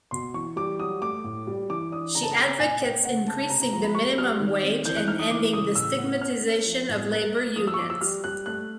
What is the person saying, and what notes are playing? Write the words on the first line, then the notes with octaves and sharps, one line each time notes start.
She advocates increasing the minimum wage and ending the stigmatization of labor unions.
B2 C6
E3 C#6
G3 D6
F#3 D#6
A3 D6
A2
G3
E3 D6
D4 D#6
C#3 A#5
A5
A#5
C#3
A#2 G#5
A#3 G5
C#3 F#5
C#3 A5
A5
C3 A#5
A#5
F3 A#5
B5
G3 C#6
G3 F6
D#3
C4
E3 G6
F#6
D#4 F6
D#6
E3 D6
C#3 D#6
A2 E6
B3
C#4 F6
C#4
F3
A2
A#3 F#6
A#3
F3 D#6
E6
C#6
F3 D6
E6
G3 F6
G3 F#6
A3 F#6